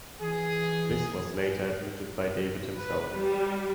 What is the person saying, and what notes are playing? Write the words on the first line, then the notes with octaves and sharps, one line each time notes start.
This was later admitted by David himself.
E3 G#4
B4
G3